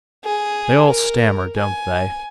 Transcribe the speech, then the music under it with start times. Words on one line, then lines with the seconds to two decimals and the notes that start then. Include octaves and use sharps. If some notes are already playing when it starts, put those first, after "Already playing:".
"They all stammer, don't they?"
0.25 G#4
0.88 A#4
1.57 G#5